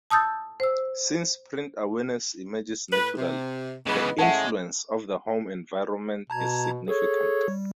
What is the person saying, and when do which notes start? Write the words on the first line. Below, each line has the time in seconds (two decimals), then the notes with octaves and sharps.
Since print awareness emerges naturally, the influence of the home environment is significant.
0.10 A5 D#6 E6 G6 A6
0.60 C5 E6
2.91 A2 B4
3.17 C3
3.86 C#3 E3 G#3 B3 D#5
4.19 A2 G#3 C#4 E5 F#5 A5
6.30 B2 A5 A#5 G#6
6.88 G#4 A4 C#5
7.48 G3